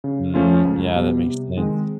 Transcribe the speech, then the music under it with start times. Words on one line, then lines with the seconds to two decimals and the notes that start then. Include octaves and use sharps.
Mm, yeah, that makes sense.
0.04 C#3
0.34 F3 A3 C#4 F4
0.65 C#2
0.95 B2 G3 B3
1.26 C3
1.56 D#3 G#3 C4